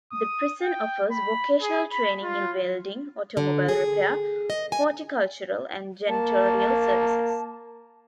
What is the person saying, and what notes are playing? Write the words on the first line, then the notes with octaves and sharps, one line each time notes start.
The prison offers vocational training in welding, automobile repair, horticultural, and janitorial services.
D#6
G5
B5
G#4
B5
F4
D3
G#4
D#5
G#5
A#3 A5